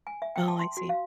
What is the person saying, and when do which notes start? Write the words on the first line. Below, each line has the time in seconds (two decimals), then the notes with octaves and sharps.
Oh, I see.
0.07 G#5
0.22 E5
0.36 G5
0.48 A5
0.59 C6
0.77 F#4
0.89 F5